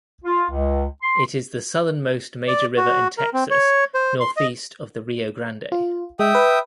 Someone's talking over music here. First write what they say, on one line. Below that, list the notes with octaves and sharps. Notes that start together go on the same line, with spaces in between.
It is the southernmost major river in Texas northeast of the Rio Grande.
F4
C#2
C6
D5
F#4
A#4
C4
C#5
C5
C6
D#5
F4
G#3 E5 G5 D#6
B4